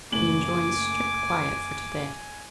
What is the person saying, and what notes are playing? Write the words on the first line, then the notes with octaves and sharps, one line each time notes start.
He enjoins strict quiet for to-day.
F#1 A2 G#5 D6 F#7